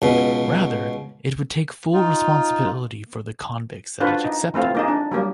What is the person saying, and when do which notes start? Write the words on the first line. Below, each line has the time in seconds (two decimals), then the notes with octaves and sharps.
Rather, it would take full responsibility for the convicts that it accepted.
0.02 C#2 B2
1.94 D#4 F4
4.00 D4 F4 F#4 B4 C5
4.24 D#4
4.54 E3 A3 C4 F4
4.75 A#3 D#4 G#4
4.88 D4
5.12 F#3 G3 A#3